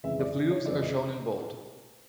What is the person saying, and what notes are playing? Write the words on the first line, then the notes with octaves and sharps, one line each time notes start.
The "fleuves" are shown in bold.
F2 C#3 E3 G#3 E5
D5
C#5
F2 C#3 E3 G#3 D5
D#5